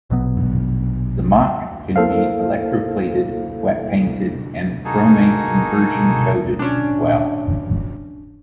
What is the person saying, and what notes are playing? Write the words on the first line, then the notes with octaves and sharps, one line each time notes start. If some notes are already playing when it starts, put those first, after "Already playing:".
Zamak can be electroplated, wet painted, and chromate conversion coated well.
A#1 B2 F#3 B3
A#3 E4 A4 C5 F5
A#3 D#4 F#4 G#4 A4
C#4 D4